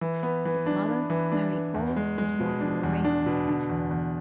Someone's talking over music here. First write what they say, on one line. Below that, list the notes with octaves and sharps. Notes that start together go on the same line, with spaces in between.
His mother, Marie-Paule, was born in Lorraine.
E3
B3
E3
D4
D4
E3
D4
E3
E2
G#3
G#3
B2
D4
E2
D4
B2
D3
E2
E2